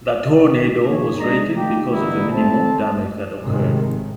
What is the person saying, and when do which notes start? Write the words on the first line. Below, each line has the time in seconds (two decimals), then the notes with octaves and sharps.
The tornado was rated because of the minimal damage that occurred.
0.86 A#1 A#3 G#4 C#5
1.20 F#1 G#3 D4 D#4 D#5 A#5
1.55 A3 D#4 F4 G4
1.91 D3 E3 G3 B3 D#4 E4
2.33 A3 C4 A5
3.43 G#1 A2 C3 D#3 G#3